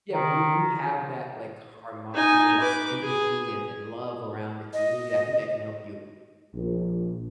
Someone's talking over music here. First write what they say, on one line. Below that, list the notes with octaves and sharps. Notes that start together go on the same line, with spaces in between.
yeah, when you when you have that, like, homogenous empathy and and love around a community, I think that can help you,
D#3
D#4 G#5
B4 D6
G#4
D#5
A#1